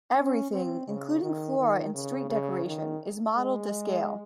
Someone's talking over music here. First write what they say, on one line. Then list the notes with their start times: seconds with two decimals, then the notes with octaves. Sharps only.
Everything, including flora and street decoration, is modeled to scale.
0.15 C#4
0.51 C4
0.87 C#3
1.22 D#3
1.58 D#3
1.94 C#3
2.30 C#3
2.65 D#3
3.37 G#3